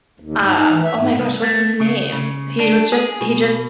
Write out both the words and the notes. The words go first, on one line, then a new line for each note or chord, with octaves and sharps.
uh oh my gosh, what's his name? He was just he just
D#2
G#2
D#4
E3
E5
G#2
C2
A3
C#3
C#3
D4
G#4
B2